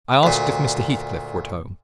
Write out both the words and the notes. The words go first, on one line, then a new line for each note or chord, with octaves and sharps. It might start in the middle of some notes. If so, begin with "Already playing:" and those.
I asked if Mr. Heathcliff were at home?
D2 A#2